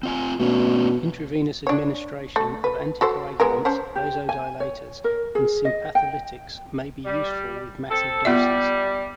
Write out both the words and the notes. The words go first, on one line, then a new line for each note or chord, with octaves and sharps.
Intravenous administration of anticoagulants, vasodilators, and sympatholytics may be useful with massive doses.
C4 F4 G#5
B2 A3 C#4 D4
D4 C#5
A3 A4
B4
F#4 A4 C5
G#3 B3 A#4
C#4 C5 A5
G4
G#5
C#5
A#4
G#4
D#5
G5
G3
C4 A4
G3 B3 F4 E5